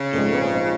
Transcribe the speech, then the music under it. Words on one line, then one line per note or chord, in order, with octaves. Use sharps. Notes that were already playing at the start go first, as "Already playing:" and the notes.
in the old,
Already playing: C#3
A#1 G#2 F3 C4 D#4
F3 C4 D#4